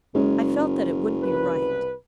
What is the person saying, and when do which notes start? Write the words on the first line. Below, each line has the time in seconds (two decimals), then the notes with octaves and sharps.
I felt that it wouldn't be right.
0.15 F#1 G#3 C#4
1.21 C2 B4